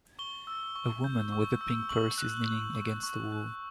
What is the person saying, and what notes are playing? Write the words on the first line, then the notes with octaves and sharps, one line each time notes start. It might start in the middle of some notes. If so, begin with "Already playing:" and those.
A woman with a pink purse is leaning against a wall.
C#6 G7
E6
C#6
G6
C#6
E6
C#6 F#7
F#6
F#6
C#6
C#6
F#6